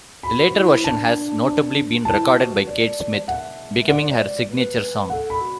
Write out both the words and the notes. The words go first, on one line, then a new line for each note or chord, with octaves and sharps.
The later version has notably been recorded by Kate Smith, becoming her signature song.
F#4 B5
E4
D4 A5
E4 A5
F#4
D5
E5 F#5
E5
D5 F#5
B4
A4 F#5
B5
F#4